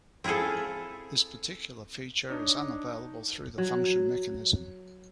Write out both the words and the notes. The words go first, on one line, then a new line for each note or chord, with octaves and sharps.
This particular feature is unavailable through the function mechanism.
C4 E4 F4 G#4 A4
D4 D#4 C#5
F#3